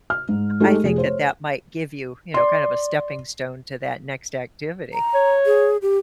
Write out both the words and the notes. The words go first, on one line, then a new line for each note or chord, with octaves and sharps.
I think that that might give you, you know, kind of a stepping stone to that next activity.
F6
G#2
G#3 A3 D#4 G4
F1 G#4
C5 C#5
D5 C6
A#5
C#5
G#4
G4